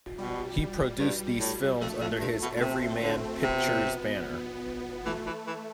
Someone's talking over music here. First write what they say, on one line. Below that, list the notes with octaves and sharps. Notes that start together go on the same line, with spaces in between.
He produced these films under his Everyman Pictures banner.
B2 G3
G2
A2
F2 A3
F2
G2
B2
D3
C3 C4
D3
C3 B3
E3 A3
E3
E3